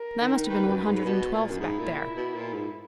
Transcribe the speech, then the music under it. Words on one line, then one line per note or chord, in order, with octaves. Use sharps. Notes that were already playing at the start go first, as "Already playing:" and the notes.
That must have been One Hundred and Twelfth back there.
Already playing: A#4
D#3
D#3 B4
F#2
G#2
B2
A#2
F#2
G#2 E4
A#2
B2
A#2
G#2